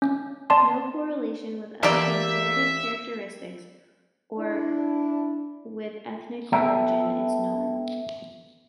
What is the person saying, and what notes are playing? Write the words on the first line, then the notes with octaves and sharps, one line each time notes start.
No correlation with other inherited characteristics, or with ethnic origin, is known.
C#4
D5 A5 C6
E3 A#3 G4 D5 E5
D4 E4
B3 A4 E5 G5